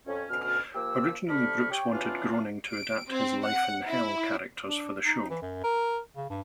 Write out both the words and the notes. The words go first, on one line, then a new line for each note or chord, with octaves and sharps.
Originally, Brooks wanted Groening to adapt his "Life in Hell" characters for the show.
F2 C#4
D2 B2 C#4 F6
F3 A#3 G4 E6
C3 D4 A4 B5 C#6 F6
G4 C#5 G5
E3 B3 C#4 D4 F4
D7
C4
F#5
E4
D4
D#4
E3
F#2
A#4
C#3
G2